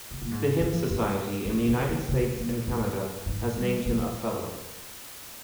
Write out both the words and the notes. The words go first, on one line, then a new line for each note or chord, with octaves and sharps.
The Hymn Society in the United States and Canada has named him a "fellow".
C3
A#2
G#2
G#2
G2
D#3
C#3
C3
C3
C3
A#2
G#2
G#2
G3
G#3